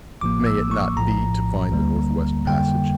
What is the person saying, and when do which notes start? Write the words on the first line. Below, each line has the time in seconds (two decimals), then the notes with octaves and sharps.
May it not be to find the North-West Passage?
0.21 A1 A2 F3 A#3 D6
0.47 E6
0.71 C#6
0.96 A#1 A2 F3 A#5
1.72 D2 D3 G3 A#3
2.47 F2 D3 G3 A#3 G5